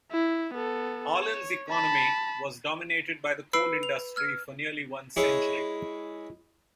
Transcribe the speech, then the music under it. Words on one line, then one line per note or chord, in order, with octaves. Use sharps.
Ahlen's economy was dominated by the coal industry for nearly one century.
E4
B3 A4
C#5
A5 B5
B4 B5 E6 C7 D7
F7
E6 F6 G#6
G#3 E4 C#5 C#6